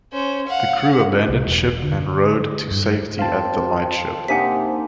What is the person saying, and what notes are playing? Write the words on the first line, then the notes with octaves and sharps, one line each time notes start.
The crew abandoned ship and rowed to safety at the lightship.
C#4 C5
F5 F#5
C2
E1
D3
G2
C4 F5 G5 A5
C3 A#3 D4 D#4 F#5 G#5 B6